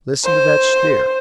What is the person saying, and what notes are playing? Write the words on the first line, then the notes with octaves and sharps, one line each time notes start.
"Listen to that steer."
C5